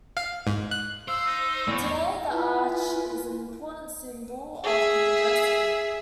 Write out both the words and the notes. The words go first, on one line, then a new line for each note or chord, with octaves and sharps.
Today, The Arch is an important symbol of the University.
F5
G#2
F#6
C5 F5 E6
D#4
E2 A3 C#5
E4 F4 B4 G#5
G#4 E5